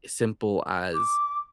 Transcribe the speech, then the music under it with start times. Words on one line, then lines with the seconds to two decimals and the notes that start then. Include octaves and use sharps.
simple as
0.94 D6